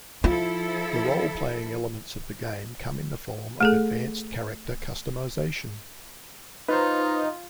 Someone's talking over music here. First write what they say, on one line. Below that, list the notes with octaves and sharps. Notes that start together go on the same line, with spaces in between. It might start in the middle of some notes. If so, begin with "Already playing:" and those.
The role-playing elements of the game come in the form of advanced character customization.
F3 E4 F4 A4
A3 G#4 A4
D#4 F4 B4 C5